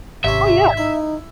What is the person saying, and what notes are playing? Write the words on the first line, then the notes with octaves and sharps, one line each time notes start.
Oh, yeah.
G#1 C3 C#4 E5
D#4 E4